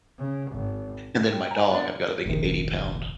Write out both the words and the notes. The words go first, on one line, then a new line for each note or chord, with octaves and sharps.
and then my dog I've got a big eighty-pound
C#3
G#1
G5
G#5 A#5
B3 D4 F#4 D5
F1 A#1 C3 D#3